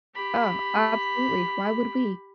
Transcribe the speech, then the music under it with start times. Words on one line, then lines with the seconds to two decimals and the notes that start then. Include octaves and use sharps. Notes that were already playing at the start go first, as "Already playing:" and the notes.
Oh, absolutely, why would we?
0.16 G4 B5